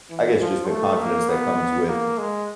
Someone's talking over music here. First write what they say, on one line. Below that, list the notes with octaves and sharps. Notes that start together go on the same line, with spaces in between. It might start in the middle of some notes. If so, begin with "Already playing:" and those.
I guess, just the confidence that comes with
E3
F3
A3
A#3
B3
A#3
G#3